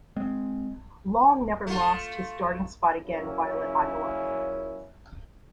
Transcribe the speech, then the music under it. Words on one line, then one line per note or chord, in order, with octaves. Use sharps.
Long never lost his starting spot again while at Iowa.
G#3 C4
A3 F4
A#2 C#3 F#3 A#3 C#4 E4